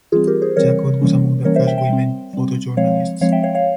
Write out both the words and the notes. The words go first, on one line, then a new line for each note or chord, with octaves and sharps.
Jacot was among the first women photojournalists.
E3 G3 C4 F4 G#4
G4 A#4
G#4 C5
E3 G3 C4 A#4 C#5
E3 G3 A#3 C#4
E3 G3 A#3 C#4 A#4 C#5
C5 E5
E5 G5
E5 G5
G3 C4
G3 C4
F3 G#3 C4 C#5 F5
F3 G#3 C4 C#5 F5
E5 G5
C#5 F5
C#5 F5